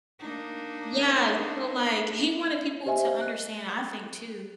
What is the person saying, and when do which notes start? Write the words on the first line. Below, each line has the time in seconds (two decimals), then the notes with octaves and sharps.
yeah, so, like, he wanted people to understand, I think too,
0.19 A#3 D4 D#4
2.86 G4 C5 D#5 E5 G#5
3.21 F#6